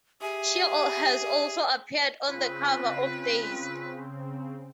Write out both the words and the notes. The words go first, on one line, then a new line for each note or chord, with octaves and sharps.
She has also appeared on the cover of "Dazed".
G4 G#4 E5
C#3 C4 F4 B4